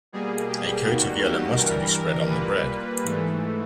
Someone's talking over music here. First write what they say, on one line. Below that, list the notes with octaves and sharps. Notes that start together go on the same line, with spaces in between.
A coat of yellow mustard is spread on the bread.
B2 G3 A#3 G#4
G4
D#2 D#3 G3 A#3 F#4
G4
G2 E3 G3 A#4
A#4
A#2 G3 A#3 B4
G#2 E3 A3